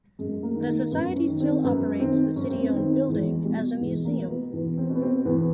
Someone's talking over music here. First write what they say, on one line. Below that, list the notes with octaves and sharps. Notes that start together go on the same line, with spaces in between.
The society still operates the City owned building as a museum.
F#2 G#3
A#3
D#3
A#3
F#2 B3
C#4
D#3
C4
F#2 B3
D#3 C4
F#2 C#4
C4
B3
D#3 C4
E2 G#3
B2 G3
E2 G#3
A#3
B2
B3
E2 B3
C4
B2
B3
C4
E2 B3